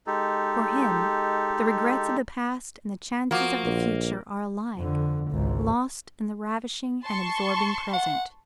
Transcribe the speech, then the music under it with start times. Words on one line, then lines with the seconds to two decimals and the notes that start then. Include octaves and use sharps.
For him, the regrets of the past and the chances of the future are alike lost in the ravishing and absorbing present.
0.07 G#3 D#4 G4 A4
3.31 F3 A#3 F#4
3.64 A#1
4.77 F2 D3
5.31 G#1 C#2
7.03 A5 C6 C#6
7.93 F#5